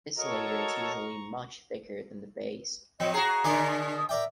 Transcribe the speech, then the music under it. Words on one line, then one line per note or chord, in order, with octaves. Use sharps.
This layer is usually much thicker than the base.
F#4 A4 A#4 C#5 D#5 A#5 C#6
F3 C4 D#5
F#4 G#4 F5 A#5
B2 D3 D4 G#4 D5
D#6
A#4 D5 E5 G5